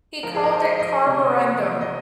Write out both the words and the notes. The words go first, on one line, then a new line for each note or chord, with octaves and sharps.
He called it carborundum.
F3 A#4
G#4
A#4
C5
F3
D#5
C3
F3
D#5